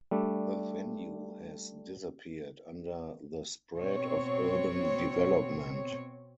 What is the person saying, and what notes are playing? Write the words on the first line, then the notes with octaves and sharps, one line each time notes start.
The venue has disappeared under the spread of urban development.
G3 A3 D4
B2 C4 C#5